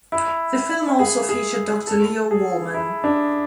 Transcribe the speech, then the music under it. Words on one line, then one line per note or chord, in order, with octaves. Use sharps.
The film also featured Doctor Leo Wollman.
E4
G#4
G#4
A4
G#4
E4
D4